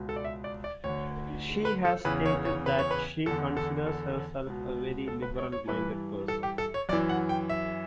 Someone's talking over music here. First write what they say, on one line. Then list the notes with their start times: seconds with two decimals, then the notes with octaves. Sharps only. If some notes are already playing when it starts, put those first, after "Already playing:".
She has stated that she considers herself a "very liberal minded person".
Already playing: C#2 B2
0.09 A4
0.16 D5
0.25 E5
0.44 D5
0.64 D5
0.84 D2 C#5
0.89 D3
1.65 B4
1.85 A4
2.05 E2 C#3 E3 B4
2.26 C#5
2.45 C#5
2.66 B4
2.79 C#5
2.91 B4
3.26 E2 A4
3.31 D3
3.57 A4
3.86 A4
4.47 C#2 B2
5.08 A4
5.22 B4
5.38 C#5
5.52 C#5
5.68 G2 E3 B4
6.28 A4
6.43 G4
6.58 A4
6.74 C#5
6.89 F#2 D5
6.93 E3
7.09 F#5
7.29 G5
7.50 E5